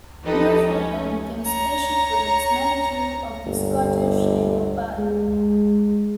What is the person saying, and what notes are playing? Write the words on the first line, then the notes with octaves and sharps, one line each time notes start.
Murphy then became Special Projects Manager of the Scottish Labour Party.
F3 D#4 G4 A4 B4 D#5
C#4
C#5 A#5
G1
G#3